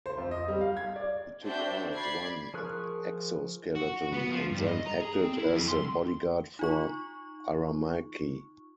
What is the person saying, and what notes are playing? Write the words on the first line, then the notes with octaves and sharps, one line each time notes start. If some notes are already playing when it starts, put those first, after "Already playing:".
He took out one exoskeleton and then acted as the bodyguard for Aramaki.
C5
F2
D#5
G3
F5
G#6
D5
C4 D4 F#4 C5 E5 G6
D5 B5 G#6 C7
F3 G#4 A#4 C#6 F#6
F#4
B3
F3
G2
D#5
A#5
G#4
C4
E4
F2
C6
D#4 F4 C#6